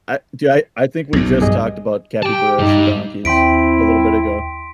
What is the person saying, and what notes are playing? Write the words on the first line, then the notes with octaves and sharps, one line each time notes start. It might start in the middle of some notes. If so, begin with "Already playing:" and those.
I do I I think we just talked about capibaras and donkeys a little bit ago.
B1 E2
G2 G#4 D#5
G4 G5 A5
G2 G3 D#4
D#2 C4 E4 G5 C6 B6 D7